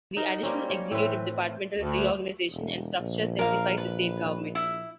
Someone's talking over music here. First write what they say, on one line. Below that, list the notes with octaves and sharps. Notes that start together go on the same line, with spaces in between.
The additional executive departmental reorganization and structure simplified the state government.
D#4 A#4
G3 A#3 C4 C#4
C#5
A2 E3 C4 B4
D2
E1
A#1
A#4 F5
B4
E4